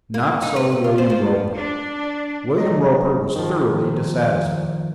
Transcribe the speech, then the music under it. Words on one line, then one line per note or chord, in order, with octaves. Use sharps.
Not so William Roper; William Roper was thoroughly dissatisfied.
A#3
D#4
B4
A#2
F4
C5
F3
D4
F#3 D#5
D#3 F3